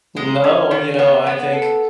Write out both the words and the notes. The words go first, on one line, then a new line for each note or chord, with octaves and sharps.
N no, you know, I think
G#3
C#4
D#3
B3
B3
A4